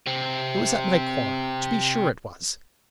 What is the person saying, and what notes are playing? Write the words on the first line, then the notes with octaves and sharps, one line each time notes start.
It was at my corner. To be sure it was!
C3 C4